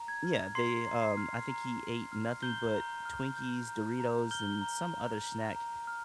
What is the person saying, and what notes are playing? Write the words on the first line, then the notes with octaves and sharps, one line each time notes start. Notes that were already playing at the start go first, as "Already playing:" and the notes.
Yeah, they, um, I think he ate nothing but Twinkies, Doritos, and some other snack
Already playing: A#5
G#6
F6
A#5 C6 C7
A#5
C6 C7
F6
A#5
A#5
F6
A#5 G6 G7
A#5
F6
G6
A#5
A#5
F6 G6 G7
A#5
A#5
A#5
A#5
F6